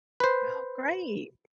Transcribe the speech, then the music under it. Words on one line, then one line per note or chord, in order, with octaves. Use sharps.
Oh, great.
B4 C5